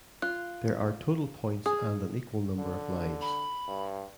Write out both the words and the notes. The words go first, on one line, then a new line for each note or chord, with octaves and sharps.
There are total points and an equal number of lines.
F4 F#6
G#4 D#6
D3
B5
G2